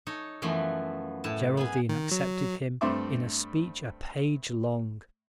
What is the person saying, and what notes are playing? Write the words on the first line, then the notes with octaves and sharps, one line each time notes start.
Geraldine accepted him in a speech a page long.
D#4 A4 C#5
F#2 E3 F3 A3 B3
A2 E4 A5
B3 G#4 G#5
D#3
F#3
G2 A3 C4 E5 C6 D6